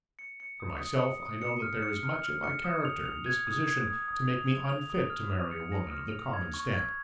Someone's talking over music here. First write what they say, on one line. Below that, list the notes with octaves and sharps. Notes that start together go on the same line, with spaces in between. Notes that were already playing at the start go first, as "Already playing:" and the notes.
For myself I know that there is much in my character and disposition to make me unfit to marry a woman of the common stamp.
C#7
C#7
D#6
D#6
C#7
D#6
C#7
F6
C#7
F6
F6
C#7
D#6
F7
F7
G#6
D#6
G#6
D#6
D#6
F7
F7
F7
D#6
F6
F7
C#7
A#6
F6
F7
G#6
C#6
G#6